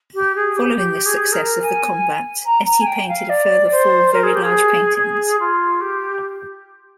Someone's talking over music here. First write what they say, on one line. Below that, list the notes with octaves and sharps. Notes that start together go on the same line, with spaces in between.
Following the success of "The Combat", Etty painted a further four very large paintings.
G4
G#4
G4
G4
G#4
A#4
G#5
A#5
A#5
G#5
G5
F5
D5
C5
A#4
G#4
G4
G#4
G#4
F4
G4